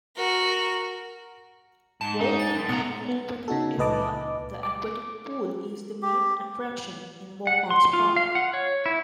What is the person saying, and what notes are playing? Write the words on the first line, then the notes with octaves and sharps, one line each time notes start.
Waukon Family Aquatic Area: The aquatic pool is the main attraction in Waukon's park.
F#4 A#4
G#2 A5
F#2 D#4
A6
F#2 A2
B1 B3 A#5
B3
C#3 D#4 F#4 A4
C#2 A#2 B4 D#5 A5 D6
D6
G4
F#5
C6
F4
F5
F#5
C#5
E4